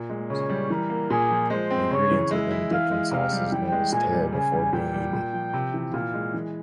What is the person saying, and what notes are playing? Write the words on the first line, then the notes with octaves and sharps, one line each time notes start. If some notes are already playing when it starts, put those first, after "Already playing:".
The ingredients are then dipped in sauces known as "tare" before being eaten.
Already playing: A#2
G#3
C#3 C#5
G3
E3 A#4
A#3
A#2 G#4
F3
G#3 C5
C4
C#3 C#5
E3
G#3 E5
E4
E3 F5
G#3
C3 F5
G3
E3 G5
G#3
A#2 G#5
G3
C#3 G#5
G3
A#2 G5
G3
A#2
F3
C3
E3
A#2 F5
G#3
E3